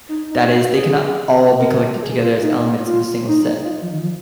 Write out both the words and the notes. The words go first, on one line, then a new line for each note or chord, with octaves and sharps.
That is, they cannot all be collected together as elements of a single set.
D#4
D#4
G#4
A#4
G#4
F4
D#4
F4
D#4
F4
D#4
F3
D#3
F3